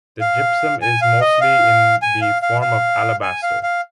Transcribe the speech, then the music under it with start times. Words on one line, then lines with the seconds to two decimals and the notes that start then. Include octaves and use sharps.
The gypsum is mostly in the form of alabaster.
0.21 F5
0.82 G#5
1.02 F5
1.21 D#5
1.41 F5
2.02 G#5
2.22 F5
2.42 F5
2.62 F5
3.23 G#5
3.43 F5
3.63 F5